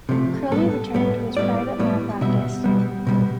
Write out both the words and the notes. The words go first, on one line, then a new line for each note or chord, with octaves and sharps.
Curley returned to his private law practice.
C3 F3 A3
A2 G3 B3 A4
A2 G3 B3
A2 G3 B3 D5
A2 G3 B3
B2 G3 B3 E5
B2 G3 B3
B2 G3 B3